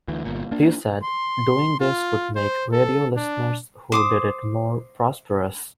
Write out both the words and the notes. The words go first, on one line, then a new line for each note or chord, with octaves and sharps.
He said doing this would make radio listeners who did it more prosperous.
D2 E3
G1 A#2
A#3 D4
C6
F4
C5
A4
D4
C5 D6 D#6